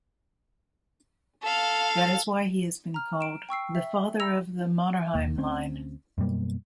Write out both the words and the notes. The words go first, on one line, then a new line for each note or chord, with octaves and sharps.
That is why he has been called ""the father of the Mannerheim line"".
A4 F5
A#5 F6
D7 E7
G5 C#6 E6 C7
E5
A#5 B5 E6 A#6 F7
E1 D#2 A#3
D2 C4 C#4
F#2 B2 G3 A#3